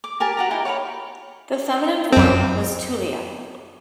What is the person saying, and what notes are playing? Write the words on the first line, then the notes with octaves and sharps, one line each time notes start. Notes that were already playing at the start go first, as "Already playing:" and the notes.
The feminine form was "Tullia".
D6
G4 A#4 G#5 A5
F#4 G4 A#5
D#4 E4 A#4 G#5
C#5 D5 F5 B5
F#2 C4